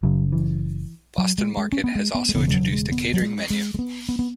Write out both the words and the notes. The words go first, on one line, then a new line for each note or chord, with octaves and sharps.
Boston Market has also introduced a catering menu.
F#1 F#2 C#3 F#3
E3
F#3
G#3
G#3
C#4
B3
G#3
B3
G#3
E1 E2 C#3 B3
G#3
F#3
G#3
B3
F#3
G#3
G#3
G#3
B3
B3
B3